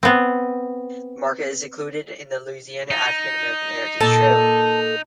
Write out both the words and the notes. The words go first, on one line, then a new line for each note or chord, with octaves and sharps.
The market is included on the Louisiana African American Heritage Trail.
B3 C4
D#4
A#2 A4 A5